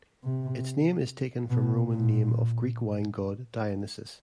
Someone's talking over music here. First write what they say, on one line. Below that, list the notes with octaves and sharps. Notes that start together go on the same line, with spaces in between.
Its name is taken from Roman name of the Greek wine god Dionysus.
C3
B2
A#2